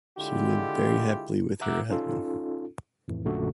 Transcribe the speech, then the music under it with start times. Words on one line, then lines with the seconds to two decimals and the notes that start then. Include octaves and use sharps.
She lived very happily with her husband.
0.18 D3 G#3 E4 F4 G4
1.61 E5 F#5 A#5 D6 E6 F#6
1.90 C#4 D#4 F4 A4
3.08 F2 A2 E3
3.24 A#1 F#2 A#2 D3 A3 F#4